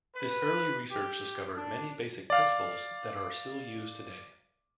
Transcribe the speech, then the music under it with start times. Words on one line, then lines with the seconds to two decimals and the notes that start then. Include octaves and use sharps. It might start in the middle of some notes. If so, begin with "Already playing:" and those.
This early research discovered many basic principles that are still used today.
0.15 B4
0.91 G4
1.55 D4
2.30 D5 F5